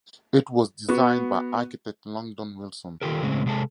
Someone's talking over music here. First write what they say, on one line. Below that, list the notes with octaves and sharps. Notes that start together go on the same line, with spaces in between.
It was designed by architect Langdon Wilson.
B3 F#4
D#3 F3 F4 G4 A4 A#4
A2 C#3 G#3 C4 C#4
C3 G#3 G#4 A4 A5